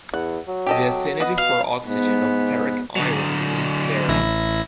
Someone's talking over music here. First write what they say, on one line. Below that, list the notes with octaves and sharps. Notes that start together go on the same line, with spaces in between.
The affinity for oxygen of ferric iron is impaired.
E2 F#5
F#3
G4 A4 D#5
B3 B4 D#5 F#5
B2 F5
G#2 B3
D3 F#3
A1 E4 A#6